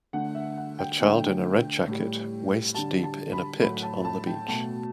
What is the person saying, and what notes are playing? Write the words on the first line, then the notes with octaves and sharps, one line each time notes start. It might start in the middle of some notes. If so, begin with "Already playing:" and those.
A child in a red jacket, waist deep in a pit on the beach.
D3 A3 F#5
E5
F#5
G5
D3 A3
A2 G3
D3 G3 A5
A5
B5
A2 F#3 A3 B5
A5
A5
G5
B2 A3 A5